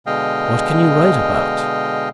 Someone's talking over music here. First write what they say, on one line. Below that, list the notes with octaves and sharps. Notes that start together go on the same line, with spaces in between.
What can you write about?
B2 D3 G#3 D#5 F5 G5